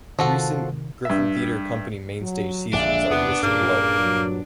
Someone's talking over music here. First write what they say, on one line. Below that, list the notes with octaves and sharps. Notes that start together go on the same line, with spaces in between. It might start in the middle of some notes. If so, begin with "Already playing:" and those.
Recent Griffin Theatre Company mainstage seasons are listed below.
C3 D#3 F3 F#4 A4
G2 E5
F#3
A#1 D3 G#3 D4 E5
E2 C3 B3
G2 A#2 C#3 F3 A#3 G#4
F#3